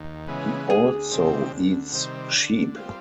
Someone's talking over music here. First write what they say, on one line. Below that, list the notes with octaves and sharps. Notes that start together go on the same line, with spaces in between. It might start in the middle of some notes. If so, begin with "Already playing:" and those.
He also eats sheep.
Already playing: D#2
C#3 E3 G#3 B3
D2 G#4
C3 D#3 G3 C4
D2
C3 D#3 G3 C4
D3
G3 C4 F4